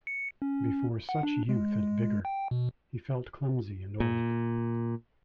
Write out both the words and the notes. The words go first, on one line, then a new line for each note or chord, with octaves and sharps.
Before such youth and vigour he felt clumsy and old.
C#7
C#4
F#5
D4
G#3
G5
B2
A#2